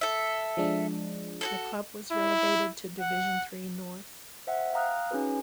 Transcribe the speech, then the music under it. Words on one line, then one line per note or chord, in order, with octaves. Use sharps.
The club was relegated to Division Three North.
A4 E5
F3 G#3 D4
F#4 G#4 A4
E4
F#5
C5 E5 F#5 G5
F5 G5 A#5 D#6 F6 F#6
C#4 D#4 F#4 G#4 B4